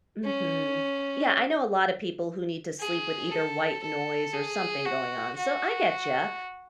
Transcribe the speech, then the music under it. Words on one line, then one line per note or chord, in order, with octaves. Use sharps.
Mhm. Yeah, I know a lotta people who need to sleep with either white noise or something going on, so I get ya.
C#4
G#4
A4
A4
G#4
F#4
F#4